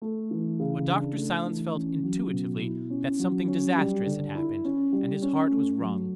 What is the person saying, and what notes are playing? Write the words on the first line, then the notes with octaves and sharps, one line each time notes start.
But Dr. Silence felt intuitively that something disastrous had happened, and his heart was wrung.
A3
E3
C#3
D4
A3
E3
C#4
F#3
B2
E4
C#4
F#3
C#4
G3
D3
E4
C#4
G3
C#4
A3
F#3